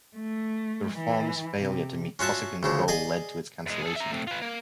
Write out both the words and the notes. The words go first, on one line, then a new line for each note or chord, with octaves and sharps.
The reform's failure to meet Kosygin's goal led to its cancellation.
A3
E3
C3
C#4 F4 F#4 E5 A5
D2 C#3 F3
G#4 D5 D#5 G#5
E2 G#3
G#4 A4
E5 A#5
A3 C4
F4 B4
A#3